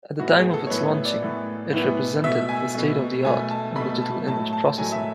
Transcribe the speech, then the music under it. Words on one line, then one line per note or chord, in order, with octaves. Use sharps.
At the time of its launching, it represented the state-of-the-art in digital image processing.
A2 E3 B3 F#4
G#4
A4
C#5
A2 E3 B3 B4
D5
A2 E3 B3
A2 E3 B3
B2 A3 E5
G#5
B2 A3
B2 A3 G#5
A5
B2 A3 B5
A5
A2 F#3 A3 A5
A5
A2 F#3 A3 G#5
E5